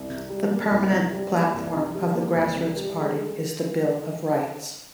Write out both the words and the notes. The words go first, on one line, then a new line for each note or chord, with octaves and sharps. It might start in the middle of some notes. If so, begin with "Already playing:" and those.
The permanent platform of the Grassroots Party is the Bill of Rights.
Already playing: C2
C3
G3
A#3
C2
C3
G3
A#3
C2
C3
G3
A#3
C2
C3
G3
G#3